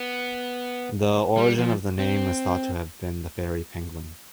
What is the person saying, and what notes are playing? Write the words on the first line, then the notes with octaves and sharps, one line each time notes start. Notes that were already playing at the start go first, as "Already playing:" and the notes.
The origin of the name is thought to have been the fairy penguin.
Already playing: B3
G3
F3
C4